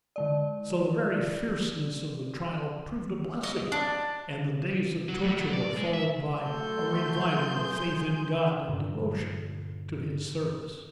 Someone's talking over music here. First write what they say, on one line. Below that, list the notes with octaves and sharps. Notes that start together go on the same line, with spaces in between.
So the very fierceness of the trial proved a blessing, and the days of torture were followed by a revival of faith in God, and devotion to His service.
D3 G#3 D5
D#5
D4
F#3
A2
F#3
D5
G#3
E5
F#3 A3 A4 C6 G6
G#4
G2 A#2 D3